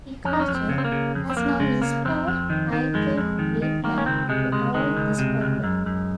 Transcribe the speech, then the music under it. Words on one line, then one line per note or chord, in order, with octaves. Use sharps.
Decatur has now installed nitrate treatment to avoid this problem.
F2 C#4
D#4
C#4
F2
C4
C#3
C4
A#3
C#3
F2
C4
F2 A#3
C#3 G#3
C#3 A#3
F2 C4
F2
D#3
D#3
F2 G#3
F2
D#3
D#3
D#3 A#3
C#4
C#2 C4
C3 G#3
C#2 G#3
D#3 G#3
C#2
C3
C#2
F#2
F#2